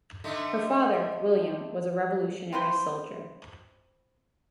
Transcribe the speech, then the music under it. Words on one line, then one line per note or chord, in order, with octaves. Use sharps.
Her father, William, was a Revolutionary Soldier.
D3 A3 D#4
C4 F4 B4 C5